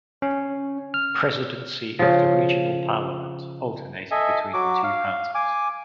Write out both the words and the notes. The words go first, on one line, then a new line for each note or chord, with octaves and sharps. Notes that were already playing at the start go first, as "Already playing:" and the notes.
Presidency of the regional parliament alternated between the two parties.
C#4
F6
C#3 F3
A4 D#5 E5 G#5
F#3 F#4 D6
F5
G#5 D6